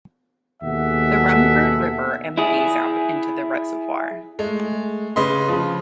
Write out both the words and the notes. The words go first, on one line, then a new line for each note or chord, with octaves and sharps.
The Rumford River empties out into the reservoir.
D#2 B2 G#4 A4 E5 F#5
E4 G#4
G#3 A3
C#3 B4 D#5 C6
C#3 F3